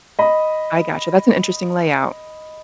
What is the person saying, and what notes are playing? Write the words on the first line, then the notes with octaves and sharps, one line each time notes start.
I gotcha. That's an interesting layout.
D#5 B5